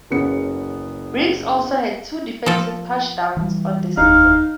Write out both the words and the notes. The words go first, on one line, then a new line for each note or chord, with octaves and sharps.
Briggs also had two defensive touchdowns on the season.
F#1 C#3 B3 C#7
F3 A4
E3 G3
F1 D#2 D#4 F5